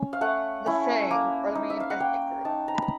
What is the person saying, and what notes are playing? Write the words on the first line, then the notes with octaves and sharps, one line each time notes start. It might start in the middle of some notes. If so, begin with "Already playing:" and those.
The Fang are the main ethnic group.
Already playing: C#4
F5
A3 F#5
C#4 E4
A#3
D#4
E5
F5
F#5
A#3 G5
D#4 A5
A#5
B5
A#5